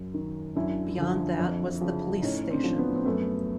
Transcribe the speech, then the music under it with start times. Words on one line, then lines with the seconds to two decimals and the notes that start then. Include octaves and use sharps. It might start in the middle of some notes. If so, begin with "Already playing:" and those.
Beyond that was the police station.
Already playing: F#2
0.14 D#3
0.55 F#2 D4 E4
0.97 D3 F3
1.39 F2
1.81 C#3 F3
2.22 A2 C#4 D#4
2.50 C4 D4
2.64 F3
2.79 B3 C#4
2.95 C4
3.06 F#2 A3 B3